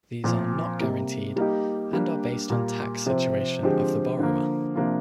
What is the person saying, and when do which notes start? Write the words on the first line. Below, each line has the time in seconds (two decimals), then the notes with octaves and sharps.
These are not guaranteed and are based on the tax situation of the borrower.
0.24 A#2 F3 C4
0.80 C3 G3 A#3
1.36 G3 A#3 D#4 G4
1.93 G3 A#3 D4 G4
2.50 A#2 G3 A#3
3.06 C3 F3 C4
3.63 D3 F3 G#3 C4 G4
4.19 D3 F3 A#3
4.75 C3 F3 A#3 D4 F4